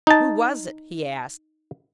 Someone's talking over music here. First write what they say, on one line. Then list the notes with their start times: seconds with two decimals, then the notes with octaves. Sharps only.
"Who was it?" he asked.
0.07 D#4 A5